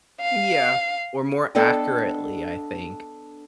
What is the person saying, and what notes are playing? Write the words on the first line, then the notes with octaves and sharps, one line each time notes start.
Yeah, or more accurately, I think,
F5
B3 D4 A4 D5 D#5 G5